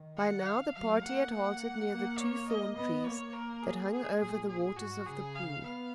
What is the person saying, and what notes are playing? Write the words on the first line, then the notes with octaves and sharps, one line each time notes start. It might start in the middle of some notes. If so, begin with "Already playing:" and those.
By now the party had halted near the two thorn trees that hung over the waters of the pool.
Already playing: D#3
F#5
F5
F#3 F5
A#3 F#5
F#5
A#3
C#5
D#5
B3 D#5
A#3 C#5
A#4
G#4
G#4
A#2 G#4
G#4
G#2 F#4
C#3 G#4
F5
B3 F5